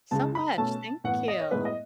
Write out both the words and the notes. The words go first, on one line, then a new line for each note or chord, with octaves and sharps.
So much. Thank you.
C#2 C#3 G#3 A5
B5
B2 A3 C#4 A5
A2 E3 B3 F#5
D#5
C#5
A2 G#3 B3 B4
D#5